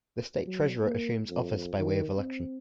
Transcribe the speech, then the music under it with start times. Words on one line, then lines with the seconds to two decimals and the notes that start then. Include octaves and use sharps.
The state treasurer assumes office by way of election.
0.47 F#3
0.84 A#3
1.29 F2
1.79 D#3
2.17 C4